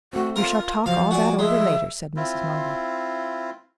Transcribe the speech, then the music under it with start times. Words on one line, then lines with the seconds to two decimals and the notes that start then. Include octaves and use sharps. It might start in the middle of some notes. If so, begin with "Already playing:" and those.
"You shall talk all that over later," said Mrs. Munger.
0.13 A3 C4 F#4
0.36 F4 A#4
0.86 F3 F#3 C5 F5
1.11 F#4 D5 G#5
1.39 G#3 E5
2.16 C4 E4 F4